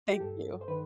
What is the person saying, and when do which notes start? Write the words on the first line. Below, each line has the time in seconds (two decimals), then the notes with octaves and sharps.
Thank you.
0.09 G4
0.20 G2 A4
0.61 C5
0.68 D#3 B4